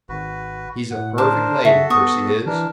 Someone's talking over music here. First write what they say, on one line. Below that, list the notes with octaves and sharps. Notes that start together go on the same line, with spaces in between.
He's a perfect lady, Percy is.
G#1 F#4 B4
A2 F#5
D4 A#4 C5 A5
C#3 F#4 A4 E5
B3 C#6 D#6
E3 D4 A#4